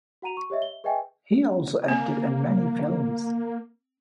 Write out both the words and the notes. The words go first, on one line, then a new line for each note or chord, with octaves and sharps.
He also acted in many films.
F#4 F#5 A#5 D#7 F7
C#6
G4 C#5 D#5 E5
G7
G#4 B4 D#5 E5 G5 G#5
A#3 C4